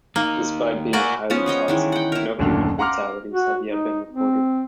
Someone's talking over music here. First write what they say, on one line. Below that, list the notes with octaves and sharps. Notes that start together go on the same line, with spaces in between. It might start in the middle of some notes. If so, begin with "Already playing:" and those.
Despite being highly toxic, no human fatalities have yet been reported.
D#2 A#3 D#4
A#3 F4 F#4 D5 G#5
F3 B3 C#4
G#4 C#5 D#5 G5
D#3 E3 G#3
F#5 G5
E4 A#4
F#1 D#2 A#2 D3
F5 F#5 A#5 C6 D6 F6
F#4
D#4
C4